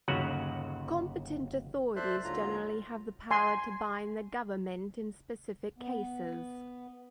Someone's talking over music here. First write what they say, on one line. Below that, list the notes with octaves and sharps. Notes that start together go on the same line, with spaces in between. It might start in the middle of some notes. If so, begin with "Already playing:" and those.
Competent authorities generally have the power to bind their government in specific cases.
G1 D#2 C#3 F#3 F#4 F#5
A4 C5 D5 E5 C6 F#6
D#2 G#2 D3 F#3 F4 A#5
G#5 C6
B3